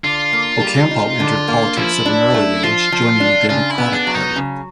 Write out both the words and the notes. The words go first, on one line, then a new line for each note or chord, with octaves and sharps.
Ocampo entered politics at an early age, joining the Democratic Party.
D3 F4
A#3
G3
D#4
D3
A#3
F3 E4
D4
A3
F3 F4
F3
D4
C#3 F4
E4
B3
D4
F#3
D#4
C#3